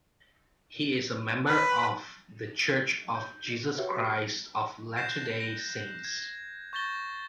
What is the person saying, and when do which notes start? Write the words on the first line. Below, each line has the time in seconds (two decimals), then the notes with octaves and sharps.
He is a member of the Church of Jesus Christ of Latter-day Saints.
1.47 B4
3.15 G6
3.78 F#4 G4 B4 C#5 E5
4.97 F#6 G6 A#6 C7 E7
5.40 A#6
6.04 G#6
6.73 C#6 G6 A6 A#6 G7